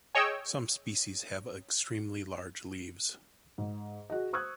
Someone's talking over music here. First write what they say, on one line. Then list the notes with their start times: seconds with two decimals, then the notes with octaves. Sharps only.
Some species have extremely large leaves.
0.15 G#4 C#5 D#5 G5 E6
3.58 G#2
4.10 F#4 G#4 D#5
4.33 C5 C#6 D#6 E6 F#6 G#6